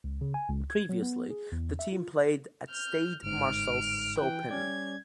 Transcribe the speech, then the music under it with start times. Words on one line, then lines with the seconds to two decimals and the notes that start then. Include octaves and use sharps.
Previously, the team played at Stade Marcel Saupin.
0.04 C#2
0.21 C#3
0.34 G#5
0.48 C#2
0.70 G#6
0.89 F#3
1.02 B3
1.30 G#4
1.52 E2
1.79 E5
1.92 F4
2.70 F6 G6
3.23 G1 G#2 F6 D7
4.18 E3 G5 F#6
4.51 G3 C#4 D5 G#6